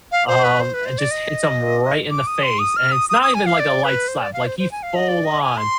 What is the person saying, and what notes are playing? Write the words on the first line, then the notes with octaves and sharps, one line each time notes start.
um, and just hits him right in the face, and it's not even like a light slap, like, he full on
F5
C5
B4
C5
B4
C5
D5
D#5
D6
D#6
C6
D#6
F6
D#6
D#6
D#6
G#5
F5
D5
B4
C5
D5
F5
C5
C5
G#5
F5
D#5
D5
D#5
G#5
C6